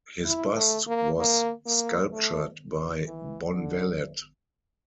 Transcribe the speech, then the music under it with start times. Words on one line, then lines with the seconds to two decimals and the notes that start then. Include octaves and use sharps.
His bust was sculptured by Bonvallet.
0.25 E4
0.56 A3
0.87 A#3
1.19 A#3
1.66 A#3
2.13 A3
3.07 E3
3.54 D3